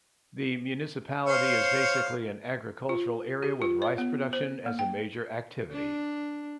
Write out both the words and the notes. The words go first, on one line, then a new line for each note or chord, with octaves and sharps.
The municipality is basically an agricultural area with rice production as a major activity.
C5 C#5 F5
F4
G4
F4
C#5
B3
C5
A#3
G5
D4